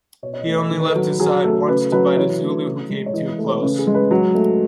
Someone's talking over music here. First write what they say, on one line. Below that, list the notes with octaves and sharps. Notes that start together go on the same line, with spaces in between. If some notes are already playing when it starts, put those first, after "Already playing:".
He only left his side once to bite a Zulu who came too close.
B2 C#5
C#5
D#5
A3
D#5
D#3
B4
A4
F#3
F#3 G#4
A3 A4
C#3 B4
F#3 B4
E3 C#5
A3
C#3
G#3
C#5
E3 D#5
A3
C#5
C#3 B4
G#4
G#3
B4
F#3
A3